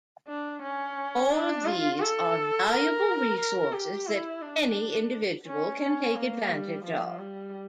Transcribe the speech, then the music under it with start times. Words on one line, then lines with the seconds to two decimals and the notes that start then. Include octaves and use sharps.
All of these are valuable resources that any individual can take advantage of.
0.28 D4
0.62 C#4
1.31 D4
1.66 F4
2.00 A4
2.70 A#4
3.73 G4
4.07 E4
4.42 D4
5.46 C#4
5.81 C#4
6.15 A#3
6.50 G3
6.84 F3
7.19 G3